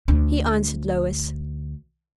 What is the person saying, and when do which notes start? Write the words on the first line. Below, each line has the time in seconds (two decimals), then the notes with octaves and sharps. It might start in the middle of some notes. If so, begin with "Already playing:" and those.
He answered Lois.
0.08 D2 D4